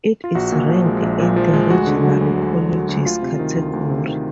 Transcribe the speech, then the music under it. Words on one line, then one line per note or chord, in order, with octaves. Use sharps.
It is ranked in the "Regional Colleges" category.
F4
A#1 F#4
A#2
F3
G#3
A#1
A#2
F3
G#3
D2 F#4
D3
F#3
D2
D2
D3
F#3
D2
D2 F4
C3
D#3
D2
D2
C3
D#3